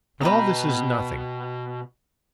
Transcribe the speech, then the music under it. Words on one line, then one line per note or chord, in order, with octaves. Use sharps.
But all this is nothing.
B2 B4 D#5 G5 A#5